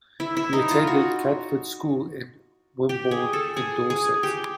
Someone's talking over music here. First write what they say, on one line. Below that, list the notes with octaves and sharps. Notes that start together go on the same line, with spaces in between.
He attended Canford School in Wimborne in Dorset.
E4
E4
D#4
F4
F#4
G4
G#4
A4
G#4
G#4
G4